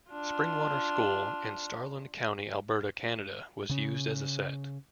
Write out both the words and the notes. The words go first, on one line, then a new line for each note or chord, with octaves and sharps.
Springwater School in Starland County, Alberta, Canada was used as a set.
D4 F4
C#3 C#4